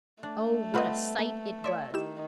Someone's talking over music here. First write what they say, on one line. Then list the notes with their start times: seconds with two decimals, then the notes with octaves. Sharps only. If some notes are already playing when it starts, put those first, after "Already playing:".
Oh, what a sight it was!
0.23 A3 D4
0.74 G3 B3 C4 F4 B4 D#5
1.19 A#3
1.64 C#5 D5 E5 C6
1.94 D#3 E4 G4 E7